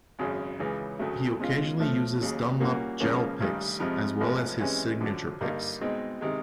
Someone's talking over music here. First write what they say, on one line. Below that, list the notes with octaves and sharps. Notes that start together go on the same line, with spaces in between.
He occasionally uses Dunlop Gel picks, as well as his signature picks.
G#1 F#2 C#3
C#2 C#3 E3
D2 C#3 F#3 A3
B2 G#3 C#4 F4
A2 F3 A3
D#2 C#3 F#3
A#2 G3 A#3 C#4 F#4
C#2 C#3 F3 A#3 C#4
A1 G2 D#3 G3
F2 C3 F3 G#3
A1 A2 F3 G#3 B3
C3 E3 G#3 C#4
F#2 D3 F3
G2 D3 G3 A#3 D#4
B2 G#3 C4 D#4
C3 D#3 G#3